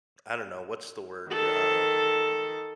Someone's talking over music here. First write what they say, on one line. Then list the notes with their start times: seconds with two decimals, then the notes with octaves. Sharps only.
I don't know. What's the word, uh
1.30 D#3 A4